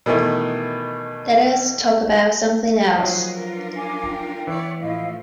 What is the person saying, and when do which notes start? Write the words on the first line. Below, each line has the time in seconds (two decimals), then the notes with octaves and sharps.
Let us talk about something else.
0.06 B2 D#3 E3 A3
2.96 D#3 F3 F#3 A#3 G#4 B4
3.34 D4 F4 A#4
3.76 G#5 D6
4.08 G5
4.47 E3 B3 C#5 D5
4.80 A2 F3 A3 E4 D#5 F5